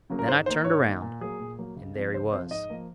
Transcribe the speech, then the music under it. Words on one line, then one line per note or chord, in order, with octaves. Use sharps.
Then I turned around and there he was.
C#3 F#3 A#3
A#4
G#2 C5
D#3 A#3 C5
G#2 C#5
D#3 A#3
A#2
F#3 A#3 G#4
A#2
F#3 A#3
C#2
C3 F3
C#2 C5
C3 F3 C5
G#2 D#5
F3 A#3